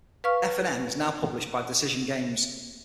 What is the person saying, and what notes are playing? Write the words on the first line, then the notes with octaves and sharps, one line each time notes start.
"F and M" is now published by Decision Games.
B4 F5 C#6 F6